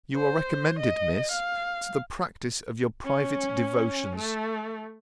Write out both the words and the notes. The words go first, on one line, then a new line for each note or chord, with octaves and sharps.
You are recommended, Miss, to the practice of your private devotions.
C5
D#5
F5
C#4
A3